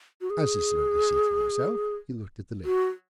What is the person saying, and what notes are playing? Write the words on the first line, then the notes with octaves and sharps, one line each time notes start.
As he slowly seated himself, he looked at the lady.
F#4
G#4
F#4